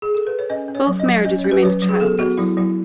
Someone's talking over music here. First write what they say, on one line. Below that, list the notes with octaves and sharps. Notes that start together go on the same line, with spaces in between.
Both marriages remained childless.
G#4
A4
B4
C#5
C#4 D#5
C#4
C#5
F#3
D#5
F#3
C#4 D#5
C#5
C#4
B4
F#3 C#5
F#3
G#4
B3 A4
B3 F#4
F#3 E4
F#3 E4